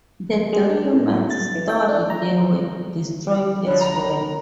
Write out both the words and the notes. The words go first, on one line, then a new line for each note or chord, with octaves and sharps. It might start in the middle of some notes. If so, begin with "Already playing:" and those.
The documents stored there were destroyed as well.
G#3
D4
A2
A6
E3
G5
D4
A#5
D3 F3 C#5 B5
A#5 F7